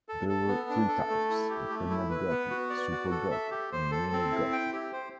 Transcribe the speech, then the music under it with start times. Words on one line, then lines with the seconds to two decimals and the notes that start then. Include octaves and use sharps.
There were three types: the Pregnant Guppy, Super Guppy, and Mini Guppy.
0.09 A4
0.28 A4
0.48 B3
0.69 D4
0.88 A4
1.10 A3
1.30 E4
1.50 G4
1.70 A3
1.90 E4
2.10 B4
2.30 B3
2.50 F#4
2.70 D5
2.91 F#4
3.11 A4
3.31 E5
3.51 G4
3.72 C5
3.91 A4
4.12 C4
4.31 E4
4.52 G5
4.73 G4
4.93 C5